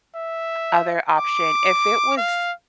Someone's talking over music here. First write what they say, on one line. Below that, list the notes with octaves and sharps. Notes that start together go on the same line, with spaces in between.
other option, if it was
E5
D6
F5